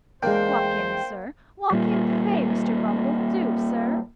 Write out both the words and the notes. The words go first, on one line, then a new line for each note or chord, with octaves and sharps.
Walk in sir; walk in, pray, Mr. Bumble, do, sir.'
E2 G#3 A#3 D4 C5 G5
A#2 G3